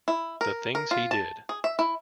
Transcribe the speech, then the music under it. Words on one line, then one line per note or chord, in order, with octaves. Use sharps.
The things he did.
E4
A#4
A#4
F4
A5
G#4
E5
E4